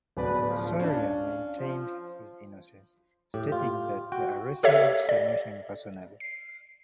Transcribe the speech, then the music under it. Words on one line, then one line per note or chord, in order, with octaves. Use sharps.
Sarria maintained his innocence, stating that the arresting officer knew him personally.
D1 B2 B4 D5
F3
C#4 D4 F5
F3
A2 G4
F4
F#4 G5
G4 A4 C#5 E5 F5
D5
C7